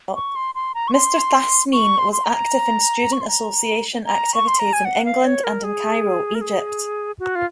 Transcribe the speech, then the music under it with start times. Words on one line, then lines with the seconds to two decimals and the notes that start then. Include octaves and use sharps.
Mr. Thasmeen was active in student association activities in England and in Cairo, Egypt.
0.15 C#6
0.36 C6
0.55 C6
0.75 A#5
0.88 C#6
0.93 C6
1.73 C#6
1.99 C6
2.13 C6
2.24 A#5
3.13 C#6
3.21 C6
3.28 A#5
4.06 A#5
4.34 C#6
4.48 C6
4.59 A#5
4.73 G#5
4.85 F#5
5.05 F5
5.25 C#5
5.44 A#4
5.64 G#4
6.35 A#4
6.41 G#4
7.20 F#4
7.35 F4